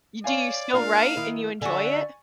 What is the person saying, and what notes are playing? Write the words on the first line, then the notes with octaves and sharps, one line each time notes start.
you do you still write and you enjoy it?
C#5 D5 F5 G#5
A#3 D4 F4 A#4 F5
D#3 E4
D3 F#4 E5 G#5 C#6